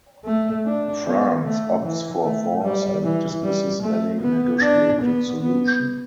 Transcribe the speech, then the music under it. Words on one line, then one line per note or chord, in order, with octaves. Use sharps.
France opts for force and dismisses any negotiated solution.
A3
D4
B3
A3
E3
A3
G3
E3
G3
A3
B3
D4
B3
B3